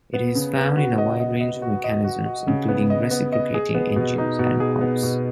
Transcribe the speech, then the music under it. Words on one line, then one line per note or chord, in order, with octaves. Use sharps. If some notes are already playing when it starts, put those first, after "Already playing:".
It is found in a wide range of mechanisms, including reciprocating engines and pumps.
B3
C#3
B3
F#4
D#5
D#5
D#5
F#4
D#5
F#4
F#4
C#3
B3
D#5
B3
D#5
G#4
B3
B2
D#4
B2
G#4
B3
B2